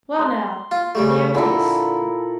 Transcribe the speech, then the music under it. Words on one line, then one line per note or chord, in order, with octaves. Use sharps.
Well, now, there it is.
C6
F4
C#3 G3 A3
A#2 D3 E4 A4